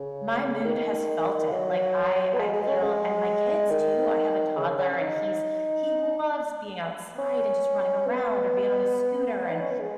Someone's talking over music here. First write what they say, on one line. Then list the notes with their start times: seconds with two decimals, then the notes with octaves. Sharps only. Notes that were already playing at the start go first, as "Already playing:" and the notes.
my mood has felt it. Like, I I feel and my kids, too. I have a toddler, and he's he loves being outside and just running around or being on a scooter. And
Already playing: C#3
0.65 D#3
1.52 F#3
2.34 B3
2.39 G#3
2.53 G#3
2.68 C#4
2.83 G#3
3.70 D#3
4.57 C#3
4.78 C#4
4.91 C#4
5.01 D#4
7.18 C#4
8.06 B3
9.50 D#4
9.61 C#4
9.71 B3
9.80 G#3